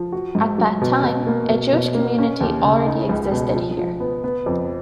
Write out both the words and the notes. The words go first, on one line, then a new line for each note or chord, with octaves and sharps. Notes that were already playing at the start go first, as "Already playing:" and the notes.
At that time, a Jewish community already existed here.
Already playing: F3
F#4
G#2
F#3
B2
B2
A#3
B2
B2
A#3
C#4
D#2
C#3
D#4
C#2
B2
F3
F3
B3
B3
F2